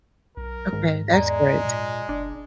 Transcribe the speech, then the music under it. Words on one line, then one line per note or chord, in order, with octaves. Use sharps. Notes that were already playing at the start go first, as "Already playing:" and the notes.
Okay, that's great.
B1 A#4
G#2 D#3
E2 G#3 D5 A#5
A#2
F#1 D4